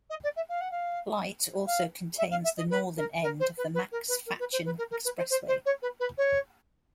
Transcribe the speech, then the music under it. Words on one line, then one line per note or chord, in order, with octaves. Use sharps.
Light also contains the northern end of the Max Fatchen Expressway.
D#5
D5
E5
F5
F#5
F5
F5
E5
F5
E5
D#5
B4
A#4
A#4
C5
B4
B4
A#4
B4
A#4
B4
C5
B4
A#4
A#4
B4
C5
C5
C5
C#5
B4
B4
C#5